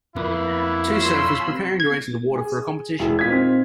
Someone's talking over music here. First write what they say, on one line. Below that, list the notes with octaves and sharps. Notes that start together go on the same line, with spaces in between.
Two surfers preparing to enter the water for a competition.
F2 A#3 B3 E4 B4
F4 C#5 B5 C6 E6
G#6
G#4
E1 G#3 E4
A#2 D#4 F4 G#6 B6
C4